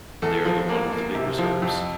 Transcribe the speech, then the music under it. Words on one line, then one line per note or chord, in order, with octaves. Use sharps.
They are the one with the big reserves.
E2 A4
F3
A#3
A#3
C3
F3
F2